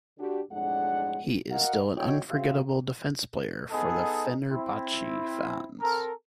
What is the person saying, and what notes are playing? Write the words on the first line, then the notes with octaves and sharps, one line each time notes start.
He is still an unforgettable defence player for Fenerbahce Fans.
D3 D4 F#4 G4
B1 F2 A2 G#3 D4 F#5
F#4 A#4 D#5 F5 F#5
D3 E4 F#4 C#5 D#5 G5
C4 C#4 F#4 G#4 E5 F5
B3 D#4 G#4 A4 D#5
C4 E4
C4 A4 A#4